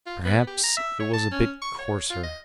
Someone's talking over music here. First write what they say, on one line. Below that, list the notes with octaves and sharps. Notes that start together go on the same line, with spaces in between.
Perhaps it was a bit coarser.
F4
B3
G4
A#5
E5
C#5
A5
C#4
C#6
C#5
F4
D#5